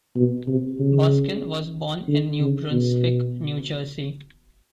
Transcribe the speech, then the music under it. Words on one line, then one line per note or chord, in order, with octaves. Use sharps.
Baskin was born in New Brunswick, New Jersey.
B2
C3
C#3
D3
C#3
B2